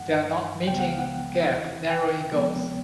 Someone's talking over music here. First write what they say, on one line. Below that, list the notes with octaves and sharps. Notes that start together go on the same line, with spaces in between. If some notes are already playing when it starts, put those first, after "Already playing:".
They are not meeting gap narrowing goals.
Already playing: G2 E3 A3 F#5
C#2 C#3 F3 G#3 B3 G5
F#5
F5
F#5
E2 C3 E3
G5
D2 C3 F3 G#3 B3